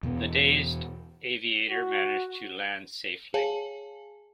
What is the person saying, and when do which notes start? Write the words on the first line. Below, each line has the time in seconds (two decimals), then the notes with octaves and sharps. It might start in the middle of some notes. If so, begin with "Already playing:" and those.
The dazed aviator managed to land safely.
0.03 E2 B2 E3 B3
1.70 F#4
3.34 G#4 C#5 F5 G#5 A5